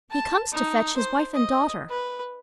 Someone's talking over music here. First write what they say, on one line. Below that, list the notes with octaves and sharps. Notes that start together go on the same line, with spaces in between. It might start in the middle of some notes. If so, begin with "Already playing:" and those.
"He comes to fetch his wife and daughter."
A5
D#4
C5
D#5
B4